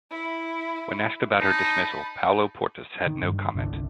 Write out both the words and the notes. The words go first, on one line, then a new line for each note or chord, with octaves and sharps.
When asked about her dismissal, Paulo Portas had no comment.
E4
D#4 A5 B5
D#3
G2
G1 C2 B2 D4